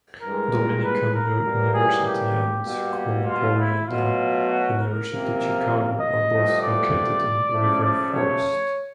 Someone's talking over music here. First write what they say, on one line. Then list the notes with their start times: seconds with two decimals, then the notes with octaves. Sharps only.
Dominican University and Concordia University Chicago are both located in River Forest.
0.22 G2 E3 G#3 A#4
0.83 B4
1.13 A#4
1.44 A2 E3 G3 A#3
1.74 G#4
2.05 G4
2.65 B2 G3 A#3
3.26 F4
3.56 E4
3.87 B2 F#3 A3 F4
4.48 F#4
4.79 A#4
5.09 C3 F3 A#3
6.00 D#5
6.30 G2 D3 F3 A3
6.61 D5
7.52 C#3 F3 A3
7.82 D5
8.13 C#5